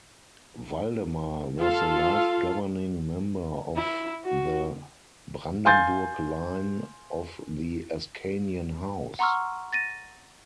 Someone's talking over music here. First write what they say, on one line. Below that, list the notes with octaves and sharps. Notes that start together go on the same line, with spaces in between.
Waldemar was the last governing member of the Brandenburg line of the Ascanian House.
F4 A4 F5
E4
F#4
F5 G#5 C6 G6 A6
F#5 A#5 C6 C#6 E6 F6
A6 A#6 D#7